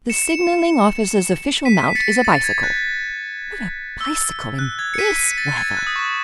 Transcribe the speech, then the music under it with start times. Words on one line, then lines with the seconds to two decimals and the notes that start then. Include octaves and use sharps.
The Signalling Officer's official mount is a bicycle, but a bicycle in this weather--!
0.10 C#7 E7
0.29 C#7 E7
1.65 B6 D#7
1.88 B6
1.95 A6 C#7
2.25 A6
2.44 G#6
2.63 F#6
4.01 E6
4.59 F#6
4.79 G#6
4.94 C#7
4.98 B6 D#7
5.18 B6 D#7
5.38 A6
5.57 G#6
5.77 F#6
5.87 D#6
5.96 C#6